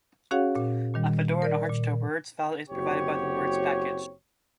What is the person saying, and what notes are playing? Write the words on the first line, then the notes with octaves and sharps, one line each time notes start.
On Fedora and Arch, the words file is provided by the words package.
C#4 F#4 G#4 C#5 F5 F#5
A#2
A#2 D#3 G3
A#4 D5
A#2
F#1 C4 F#4 G4 C#5